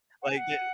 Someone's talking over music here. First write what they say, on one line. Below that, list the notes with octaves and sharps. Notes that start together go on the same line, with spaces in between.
like, the
F#5
G#5
F#5